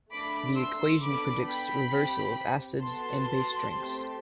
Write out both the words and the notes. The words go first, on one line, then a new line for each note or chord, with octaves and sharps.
The equation predicts reversal of acids and base strengths.
A3 D4 A4 B5 D6
C6 E6
B3 D4 A4 B5 D6
G5 B5
C4 G4
B3 F#4 A4 A5 C6
A3 C4 G4